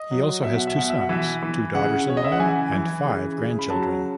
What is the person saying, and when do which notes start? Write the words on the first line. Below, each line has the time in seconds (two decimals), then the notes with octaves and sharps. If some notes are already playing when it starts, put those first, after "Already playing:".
He also has two sons, two daughters-in-law, and five grandchildren.
Already playing: D#5
0.11 F#3
0.44 B2 E5
0.56 F#5
0.67 E5
0.76 B2 F#5
0.90 E5
1.01 F#5
1.09 E3 E5
1.42 E3
1.75 C#3 F#5
2.07 C#3 C#5
2.17 D#5
2.24 E5
2.32 F#5
2.39 E3 G#5
2.72 E3
3.05 C#3
3.38 C#3
3.59 B5
3.70 F#3 A5